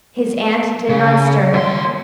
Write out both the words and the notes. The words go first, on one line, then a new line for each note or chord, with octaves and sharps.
His aunt did not stir.
C#3
D#2 C6